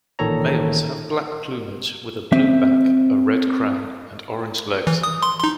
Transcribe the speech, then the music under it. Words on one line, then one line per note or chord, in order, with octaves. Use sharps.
Males have black plumage with a blue back, a red crown and orange legs.
A1 A#2 D#3 A4 C#5 A#5
C4 E5
E3
D#6
C6
D#4 C6